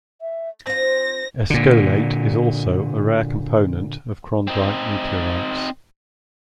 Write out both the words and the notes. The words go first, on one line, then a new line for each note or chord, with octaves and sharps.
Eskolaite is also a rare component of chondrite meteorites.
E5
C4 F4 C5 A#6
A#2 D3
C4 D#4